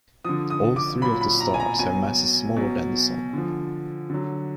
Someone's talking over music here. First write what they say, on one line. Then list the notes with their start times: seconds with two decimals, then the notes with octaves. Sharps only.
All three of the stars have masses smaller than the Sun.
0.25 D3 F3 D#6
0.50 D#6
0.76 D6
1.02 A#2 F#3 B5
1.21 B5
1.40 A#5
1.54 G#5
1.60 A#5
1.79 B2 F#3 G#5
2.56 B2 F#3
3.33 D3 F3
4.10 D3 F#3